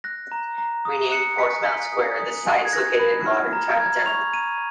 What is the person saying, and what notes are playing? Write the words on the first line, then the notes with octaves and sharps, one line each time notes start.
Renamed Portsmouth Square, the site is located in modern Chinatown.
F#6 A#6
A#5
A#5
D#6
F#6 C#7
G#5 B6
G#5 B6
D#6
D#6
G#5
G#6
F#6 A#6
B5
F6
A#5
A#5 G#6
C#6 F7
A#5 D#7